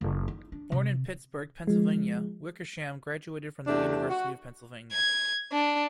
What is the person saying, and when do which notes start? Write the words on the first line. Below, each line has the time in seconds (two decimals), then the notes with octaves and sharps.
Born in Pittsburgh, Pennsylvania, Wickersham graduated from the University of Pennsylvania.
0.01 F#1
0.28 D#4
0.52 D4
0.72 C3
1.67 F3 G#3
3.67 E2 A3 D4 G4
4.09 F#4
4.93 G#6
5.52 D4